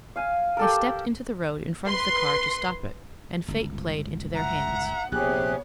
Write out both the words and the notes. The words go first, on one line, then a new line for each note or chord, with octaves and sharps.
They stepped into the road in front of the car to stop it, and fate played into their hands.
F5 G#5
G4 A4 A#4
B4 C6
G1 C#2
E5 F#5 A#5
A#1 C3 B3 G4 G#4 C#5 F#6